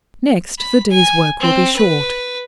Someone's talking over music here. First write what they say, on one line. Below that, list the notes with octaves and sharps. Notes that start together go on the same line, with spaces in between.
Next, the day's work will be short.
B5
G#5
C4
B4